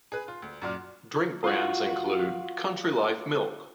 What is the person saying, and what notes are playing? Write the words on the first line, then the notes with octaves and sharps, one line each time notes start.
Drink brands include "Country Life Milk".
G#4 B4
F4
D2
F#2 A#2 F#4 D5 C6 F6
F4 F#4